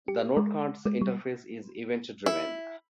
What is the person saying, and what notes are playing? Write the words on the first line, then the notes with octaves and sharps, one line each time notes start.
The NoteCards interface is event-driven.
G4
G#3
G#3
G3
E4